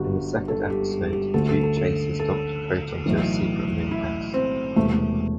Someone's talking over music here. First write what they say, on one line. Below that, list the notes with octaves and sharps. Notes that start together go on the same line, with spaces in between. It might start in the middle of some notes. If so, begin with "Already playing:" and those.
In the second episode, Duke chases Doctor Proton to his secret moonbase.
Already playing: G1 G2 D3 G3 F#4 G4
A4
G4
G4
G4
D2 D3 A3 A4
A4
A4
A4
A4
B1 A2 E3
E4
C4
E1 E2 C3 A3
A3